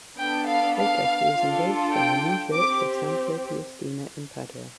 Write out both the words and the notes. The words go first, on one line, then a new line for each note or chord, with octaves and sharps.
Later, he was engaged on the new church of Santa Giustina in Padua.
B3 D4 A4 G5
F5
F5
D4 F4 A4
G5
C4 G4 D6